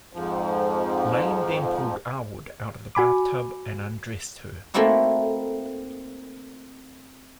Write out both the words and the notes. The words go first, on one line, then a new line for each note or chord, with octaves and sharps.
Lane then pulled Arwood out of the bathtub and undressed her.
F2 G#2 F3
F#4 G#5 B5 D6
A3 A#3 C4 D#4 E4 F#4